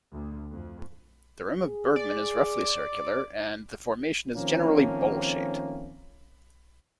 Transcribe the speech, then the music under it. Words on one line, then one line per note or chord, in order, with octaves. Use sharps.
The rim of Bergman is roughly circular, and the formation is generally bowl-shaped.
D2
F2
G#4
D5
D#3 F3 A3 A#3 C4 C#4